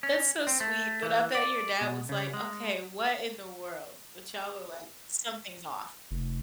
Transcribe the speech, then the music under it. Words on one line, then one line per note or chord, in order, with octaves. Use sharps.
that's so, sweet, but, I bet your dad was like, "Okay, what in the world." but y'all are like, something's off
C#4
C4
A3
E3
D5
B2
C#3
G#3
F1